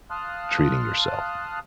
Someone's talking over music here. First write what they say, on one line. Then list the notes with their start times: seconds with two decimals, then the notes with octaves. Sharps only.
Treating yourself?
0.10 F5 A5 C6 D#6 F6 F#6